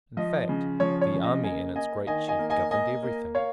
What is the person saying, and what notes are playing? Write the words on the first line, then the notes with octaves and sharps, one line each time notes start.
In fact, the army and its great chief governed everything.
F3 D#5
C#3
F3 C#5
C#5
C#3
D#5
A#3 D#5 G#5
A#3 D#5 G#5
D#3 D#5 G#5
D#5 G#5
A#3
D#5 G#5
A#3 D#5 G#5
A#3
A#3 C#5 F5